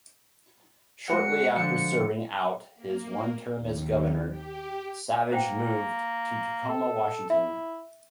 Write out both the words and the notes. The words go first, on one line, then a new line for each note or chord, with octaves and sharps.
Shortly after serving out his one term as governor, Savage moved to Tacoma, Washington.
G#3 F#4 F#5 C#7
D3 F3 C#7
A#3
D#2
G4
A#3 C5 F#5 G5
A4
E4 E5